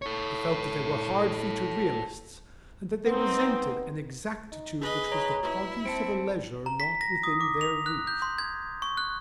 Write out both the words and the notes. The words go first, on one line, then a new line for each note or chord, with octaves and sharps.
He felt that they were hard-featured realists and that they resented an exactitude which was the produce of a leisure not within their reach.
A4 C#5
B3 C4 D#4
D#4
G#4 B4 D#5
C#5 A#5
B2 E4
C4 A5 C#7 D7
A#5
B6
A#6
D#6
D6
F7
F#6
G6
C6
G#6
C#6
F#6